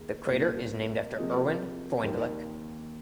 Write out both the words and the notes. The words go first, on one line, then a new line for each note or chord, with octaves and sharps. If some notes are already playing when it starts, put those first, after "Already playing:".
The crater is named after Erwin Freundlich.
Already playing: D#2 D#3 G#3 A#4
C2 A#2 A#3
C3 F3 A#3 G#4 D#5
D#2 D#3 A#3 D#4